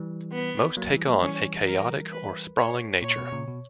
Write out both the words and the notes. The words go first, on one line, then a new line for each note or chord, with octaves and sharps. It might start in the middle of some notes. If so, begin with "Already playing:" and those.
Most take on a chaotic or sprawling nature.
Already playing: E3 G3
B3
F#3 A#3
E3 G3
F#3 A#3
E3 G3 C#4
A#4
B4
C#5
A#2 C#5
B2
A#2 C#3
B2